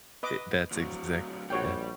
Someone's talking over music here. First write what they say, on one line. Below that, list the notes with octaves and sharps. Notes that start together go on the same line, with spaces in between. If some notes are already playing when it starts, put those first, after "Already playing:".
It that's exactly Yeah.
B4 D#5 D6
D2 F#3
A#1 G3 F#4 C#5 G5